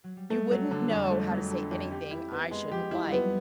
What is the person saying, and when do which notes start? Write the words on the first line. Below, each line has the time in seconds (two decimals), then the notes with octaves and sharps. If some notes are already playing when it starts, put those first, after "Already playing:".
"You wouldn't know how to say anything I shouldn't like."
0.04 F#3
0.17 G3
0.30 G#3 A3
0.51 F#3
0.58 G3
0.71 D3
0.85 G3
0.91 F2
1.11 G#3 A3
1.31 F#3
1.38 A3
1.51 D3
1.71 F2
1.83 C#4
1.91 C4 G4
2.11 E4
2.31 A#3 B3
2.51 G#3
2.71 F3 G4
2.91 E4
3.05 G3
3.11 F#3 B3